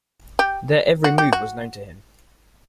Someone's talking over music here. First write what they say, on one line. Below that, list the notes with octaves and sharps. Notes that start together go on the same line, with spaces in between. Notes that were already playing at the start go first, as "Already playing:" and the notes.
Their every move was known to him.
G4
F#4
G4
F#4